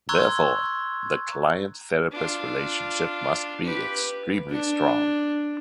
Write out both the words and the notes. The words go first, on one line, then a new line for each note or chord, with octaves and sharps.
Therefore, the client-therapist relationship must be extremely strong.
A#5 C6 C#6 E6 F#6 G#6
D4 F4
G4 B4
D4